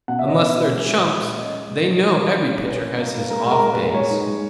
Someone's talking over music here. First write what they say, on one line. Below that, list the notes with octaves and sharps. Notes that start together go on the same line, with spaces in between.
Unless they're chumps, they know every pitcher has his off days.
B2 F#5
E5
C#4 D#5
B2 E5
F#3
G#3
A#2
G#3
A#2
C#4 D#5
G#3
A#2
A#2
E3
E3
C#4
C#4
C#4 B4
C#4
A#3
A#3
G#3 A#4
G#3
A#4
A#2
B4
G#3
G#3 C#5
D#4
G#3